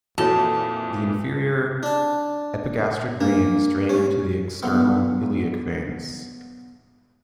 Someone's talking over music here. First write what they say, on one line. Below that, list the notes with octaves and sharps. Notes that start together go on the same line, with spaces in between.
The inferior epigastric veins drain into the external iliac veins.
F2 A#2 E3 F#4 A4 C#5 A5
D4 A5
A#3 D4
C#4 G4
B2 D3 F#3 B3 E4 F4